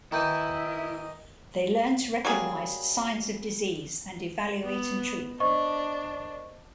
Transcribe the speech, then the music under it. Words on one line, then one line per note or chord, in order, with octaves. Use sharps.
They learn to recognize signs of disease and evaluate and treat them.
D#3 E3 E4 D#5 A#5 G6 D#7
F#3 G3 A#3 G#4
B3
D4 C5 D#5 C#6